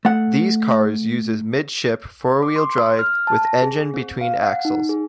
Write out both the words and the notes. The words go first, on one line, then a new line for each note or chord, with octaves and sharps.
These cars uses mid-ship, four-wheel drive, with engine between axles.
A3 F#5
D6
C6
F6
A5
A#6
G#4
C4
F5
F#5
D#4
G#4